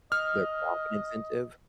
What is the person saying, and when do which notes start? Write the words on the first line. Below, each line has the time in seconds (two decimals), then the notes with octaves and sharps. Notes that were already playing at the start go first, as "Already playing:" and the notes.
their profit incentive,
0.12 D#5 F6